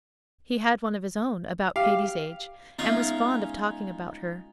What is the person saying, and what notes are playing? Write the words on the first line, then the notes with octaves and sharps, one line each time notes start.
He had one of his own, about Katy's age, and was fond of talking about her.
G4 F5
G#3 B3 C#4 D#4 F4 E5 A#5 C#6